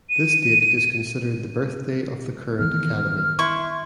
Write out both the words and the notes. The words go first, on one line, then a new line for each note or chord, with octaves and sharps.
This date is considered the birthday of the current academy.
D#7
D#3 E3 B3 F6
E4 C6 C#6